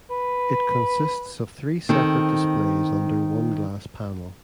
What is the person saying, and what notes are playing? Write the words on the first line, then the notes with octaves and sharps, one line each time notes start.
It consists of three separate displays under one glass panel.
B4
D#3 C4 A4